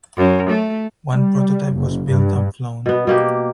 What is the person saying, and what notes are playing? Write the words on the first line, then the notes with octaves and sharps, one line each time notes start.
One prototype was built and flown.
F#2
A3
G3
F#1
G2
B2 B3
B2 A#3 G4